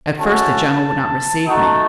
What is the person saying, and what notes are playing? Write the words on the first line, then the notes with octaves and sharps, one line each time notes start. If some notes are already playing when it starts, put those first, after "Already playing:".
"At first the general would not receive me."
A3 C#4 F#4 A5
A3 D#4 F#4